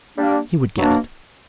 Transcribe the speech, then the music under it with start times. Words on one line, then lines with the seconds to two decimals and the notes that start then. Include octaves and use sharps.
He would get it.
0.17 G3 A#3 D4
0.76 B2 F#3 A#3 D4